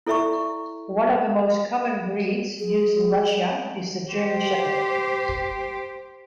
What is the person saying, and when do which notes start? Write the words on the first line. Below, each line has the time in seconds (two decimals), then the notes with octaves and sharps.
One of the most common breeds used in Russia is the German Shepherd.
0.07 E4 A4 D5 E5 A#5 C#6
2.59 G#4
4.12 G4 C5